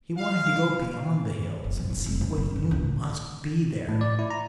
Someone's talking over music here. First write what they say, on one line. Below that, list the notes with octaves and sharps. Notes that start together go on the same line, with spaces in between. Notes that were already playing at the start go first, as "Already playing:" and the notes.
He wanted to go beyond the hills and seek what he knew must be there.
F5
F#1
F3
F4
F1
C#2
F#1
C#3
C#2
A2
D5
E4
A#5